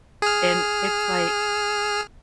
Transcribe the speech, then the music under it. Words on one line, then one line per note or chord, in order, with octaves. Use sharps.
and it's, like,
G#4 F6